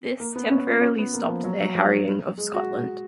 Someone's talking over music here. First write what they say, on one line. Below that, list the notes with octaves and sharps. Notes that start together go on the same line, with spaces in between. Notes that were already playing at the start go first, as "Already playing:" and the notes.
This temporarily stopped their harrying of Scotland.
A#3
B3
C#4
F4
C#4
B3
A#3
F3
F#3
F#3
F#3
G#3
F#4